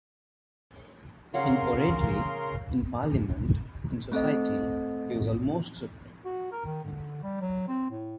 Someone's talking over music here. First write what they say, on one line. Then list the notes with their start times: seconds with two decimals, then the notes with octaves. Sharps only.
In oratory, in parliament, in society, he was almost supreme.
1.34 C#3 A#4 C#5 F5 F#5 C6
4.12 A3 C4 A4 D#5
6.25 F#4
6.52 A#4
6.65 D#3
6.84 D3
7.23 G3
7.41 F#3
7.68 C4
7.90 A2